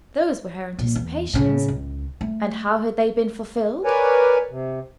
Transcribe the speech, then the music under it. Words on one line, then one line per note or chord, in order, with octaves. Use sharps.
Those were her anticipations--and how had they been fulfilled?
A#1 A#3
E2
A2 C#3
C#2
A3
A#4 B4 C#5 D5 G#5
C3